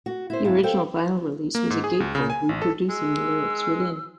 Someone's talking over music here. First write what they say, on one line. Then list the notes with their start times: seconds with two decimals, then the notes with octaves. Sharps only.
The original vinyl release was a gatefold, reproducing the lyrics within.
0.06 F#4
0.30 E4 C5
0.45 G#2 C4 C#4 E4 F5
0.63 A4 C5 F5 G5
1.55 A#3
1.70 G#2
1.84 G#4
2.00 C#2
2.15 C#3
2.30 G#5
2.49 A1
2.62 A4
2.89 G#3 E6